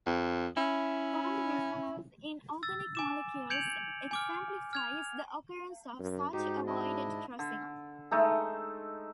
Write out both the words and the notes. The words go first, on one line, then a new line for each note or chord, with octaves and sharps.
Bond resonance in organic molecules exemplifies the occurrence of such avoided crossings.
F2
C#4 E4
E6 A6
G#5 D6 E7
G6 G#6 C#7 D7 F7 F#7
G#5 D6 F6
F6 G#6 F7
F#2
G#2 D#4 F#4 G4
D4 E4 D#5
D3
G#3 A3 D#4 A4